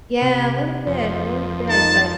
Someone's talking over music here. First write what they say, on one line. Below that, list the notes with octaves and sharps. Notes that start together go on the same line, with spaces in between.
Yeah, a little bit, a little bit, but but
C3
F2
D#4 A#4 A5